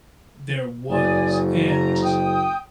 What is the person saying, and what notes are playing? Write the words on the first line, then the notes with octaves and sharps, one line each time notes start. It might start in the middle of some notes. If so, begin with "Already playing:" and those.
there was, and,
F#1 D5 G#5 D#6
A#5
G5 D#6